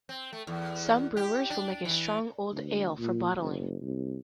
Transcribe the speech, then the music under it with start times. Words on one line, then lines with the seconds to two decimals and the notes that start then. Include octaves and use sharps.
Some brewers will make a strong old ale for bottling.
0.09 C4
0.33 A3
0.47 E2
1.17 G4
1.50 D4
1.85 E3
2.52 D2
2.99 A#2
3.39 F#1
3.82 C2